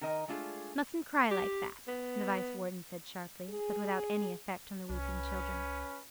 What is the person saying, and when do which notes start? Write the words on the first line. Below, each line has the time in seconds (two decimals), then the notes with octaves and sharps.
"Mustn't cry like that!" the Vice-Warden said sharply, but without any effect on the weeping children.
0.01 D#3 A#4 D#5 G5
0.28 G#3 A3 D4 F4 G#4
1.31 G4
1.88 B3
3.49 G#4
4.90 C2 C#4 B4